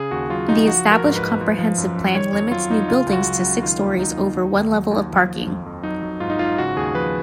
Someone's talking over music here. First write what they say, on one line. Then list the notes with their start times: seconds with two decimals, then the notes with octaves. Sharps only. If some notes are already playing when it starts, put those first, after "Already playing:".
The established comprehensive plan limits new buildings to six-stories over one-level of parking.
Already playing: C#3 G#4
0.11 D#2 F#4
0.30 F#3 F4
0.49 D#2 D#4
0.67 F3 F#4
0.85 F3
0.92 A#4
1.04 G#2
1.16 B4
1.23 G#2
1.41 F3
1.59 F3
1.78 F#2
1.96 F#2
2.15 D#3 C#5
2.33 F2 C#5
2.51 F#3 F4
2.71 F2 D#4
2.89 C#3 F4
3.07 C#2
3.13 F#4
3.26 F#3
3.38 F#4
3.43 C#2
3.63 D#3 F4
3.81 D#2
3.99 F#3 D#4
4.18 D#2
4.36 D#3
4.54 D#2
4.73 F#3
4.91 D#2
5.10 F3
5.28 F3
5.47 F2
5.66 F2
5.83 F#3 D#4
6.03 F#3
6.20 G#2 F4
6.30 D#4
6.39 G#2 F4
6.58 C#3 F#4
6.76 D#2 G#4
6.94 F3 B4